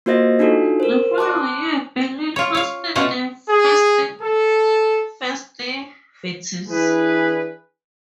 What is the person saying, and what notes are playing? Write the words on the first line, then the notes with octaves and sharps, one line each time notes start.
The following year, Berlin hosted the festivities.
A#3 F4 F#4 C5 D#5 A#6
D4 D#4 F4 F#4 A4
A#4 C5
A5 C6 D6 F#6
F4 C#5
C#5 F5
B2 A3 C#4 F4 C#5 F#5
G#4
A4
E3 D4 E4 G#4 B4